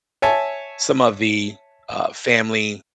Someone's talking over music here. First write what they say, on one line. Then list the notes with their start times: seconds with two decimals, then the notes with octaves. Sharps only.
some of the, uh, family
0.22 C#5 E5 G#5 A5